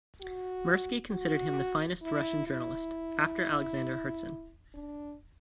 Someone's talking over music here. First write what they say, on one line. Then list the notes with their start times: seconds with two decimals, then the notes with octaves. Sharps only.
Mirsky considered him the finest Russian journalist, after Alexander Herzen.
0.21 F#4
1.11 F#4
2.02 E4
2.47 E4
4.74 D4